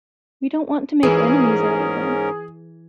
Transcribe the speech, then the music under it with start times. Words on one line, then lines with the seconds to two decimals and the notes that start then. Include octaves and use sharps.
We don't want to make enemies out of them.
1.03 G#2 E3 C#4 G#4 A#4